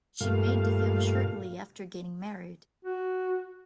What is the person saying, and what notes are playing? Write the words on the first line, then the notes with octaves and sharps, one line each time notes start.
She made the film shortly after getting married.
G2 A#2 A3 F5
F#4